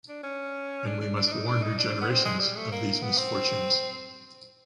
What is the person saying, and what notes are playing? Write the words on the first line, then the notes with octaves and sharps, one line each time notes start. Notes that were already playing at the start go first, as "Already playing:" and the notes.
And we must warn new generations of these misfortunes.
D4
C#4
D4
D4
D4
D4
D#4
D4
D#4
D4
B3
C4
G#3
G3
A3
A#3
B3
C4